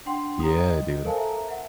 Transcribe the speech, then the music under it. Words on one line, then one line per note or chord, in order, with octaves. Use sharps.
Yeah, dude.
D4 F#5 G5 C6
A#5 D#6
D#5
A4 A#4 C5 F5 G#5 A5
E5 A#5
E5 F#5